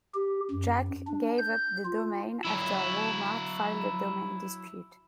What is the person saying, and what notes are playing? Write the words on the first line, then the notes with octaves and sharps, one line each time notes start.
Jacques gave up the domain after Walmart filed a domain dispute.
G4
F#2
D4
G6
F4
F#3 E4